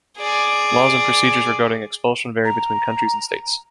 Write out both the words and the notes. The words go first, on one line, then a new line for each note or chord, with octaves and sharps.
Laws and procedures regarding expulsion vary between countries and states.
G#4 D5
A#5